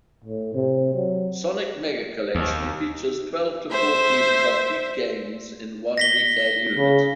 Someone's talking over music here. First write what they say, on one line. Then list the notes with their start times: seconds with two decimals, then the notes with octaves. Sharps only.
"Sonic Mega Collection" features twelve to fourteen complete games in one retail unit.
0.25 A2
0.54 C3
0.95 F#3
2.35 D#2
3.72 C5 E5
5.98 A#6 B6 G7
6.77 C#3